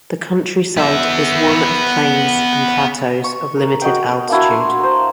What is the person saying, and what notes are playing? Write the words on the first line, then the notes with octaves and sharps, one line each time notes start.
The countryside is one of plains and plateaux of limited altitude.
B3 E5
C#6
A#4
F#4 D#5 G5
A#3 D4 E4 F#4
C6
C5 A#5